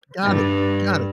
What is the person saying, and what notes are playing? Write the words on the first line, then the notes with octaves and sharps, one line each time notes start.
Got it, got it.
G2